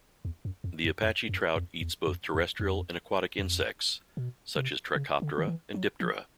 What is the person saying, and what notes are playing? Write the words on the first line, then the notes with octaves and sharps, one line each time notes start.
The Apache trout eats both terrestrial and aquatic insects, such as Trichoptera and Diptera.
E2
F#2
F2
F2
F2
F#2
F2
E2
F2
E2
F2
F2
B2
C3
C#3
D3
D#3
E3
F#3
F3